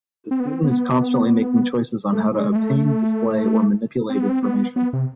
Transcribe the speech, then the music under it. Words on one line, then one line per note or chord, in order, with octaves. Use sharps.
The student is constantly making choices on how to obtain, display, or manipulate information.
C4
B3
C4
B3
A3
G#3
G#3
A3
C4
B3
C4
B3
B3
C3